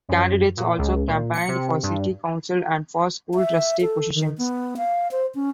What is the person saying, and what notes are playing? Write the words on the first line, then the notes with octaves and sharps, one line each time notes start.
Candidates also campaigned for city council and for school trustee positions.
F#2
A#2
C#2
A#2
C#7
C3
G2
E5
A4
D#3
B3
F5
C5
C#4